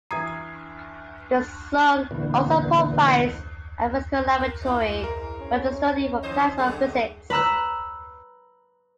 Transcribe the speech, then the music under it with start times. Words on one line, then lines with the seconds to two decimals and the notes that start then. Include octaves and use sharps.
The Sun also provides a "physical laboratory" for the study of plasma physics.
0.11 E3 A#5 D#6 G#6 C7
2.11 A#2 D3 E3 B3
4.40 A#4
4.62 G#2 E4
5.04 A#4
5.40 C#4
6.22 D#3 C5 D#5
6.58 F#2 D3 G#4
7.30 B4 A#5 E6 F#6